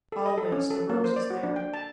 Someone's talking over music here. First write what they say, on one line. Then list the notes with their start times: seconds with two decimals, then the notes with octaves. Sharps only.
Always the rose is there.
0.12 A4
0.26 D#5
0.38 A4
0.52 C#4
0.70 A4
0.90 A#3
1.04 C5
1.16 D5
1.30 F#4
1.43 D4
1.56 G5
1.74 A5